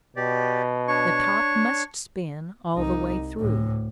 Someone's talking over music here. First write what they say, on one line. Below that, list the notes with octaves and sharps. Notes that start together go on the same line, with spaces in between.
The top must spin all the way through.
B2 G4 D5
D4 C#5 C#6
C2 D#4
D2 A2